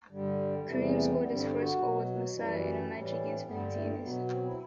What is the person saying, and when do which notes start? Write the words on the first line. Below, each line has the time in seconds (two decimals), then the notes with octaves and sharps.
Karim scored his first goal with Marseille in a match against Valenciennes.
0.09 G2 D3 G3
0.66 E2 C3 E3 G3 A3
0.94 A3
1.15 B3
1.22 G2 D3 G3 C4
1.33 C4
1.40 D4
1.60 F#4
1.78 B2 F#3
2.34 F#2 E3 G3
2.90 A2 E3 G3 E4
3.09 E4
3.22 D4
3.28 C4
3.46 G2 D3 G3 B3
3.74 A3
4.02 B2 F#3 B3
4.30 C4
4.47 E4